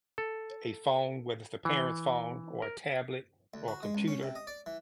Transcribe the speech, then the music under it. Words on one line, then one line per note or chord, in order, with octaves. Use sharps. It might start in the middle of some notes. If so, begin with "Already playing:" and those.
a phone, whether it's a parent's phone or a tablet or a computer,
A4
E3
A#4
D2
F#4
G#3
C#2
C#4
C3
D#5
D5
E3